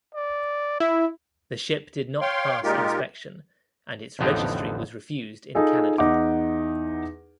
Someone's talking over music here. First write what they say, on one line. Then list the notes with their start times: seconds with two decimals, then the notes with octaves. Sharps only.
The ship did not pass inspection and its registry was refused in Canada.
0.15 D5
0.80 E4 E5
2.21 C#5 F5 G5 C6
2.64 A#2 G#3 D#4 F4 G4 A#4
4.19 A1 F2 D3 B3 D#4 G5
5.55 D#4 F4 G#4 A4
5.98 E2 D#4 F#5 D6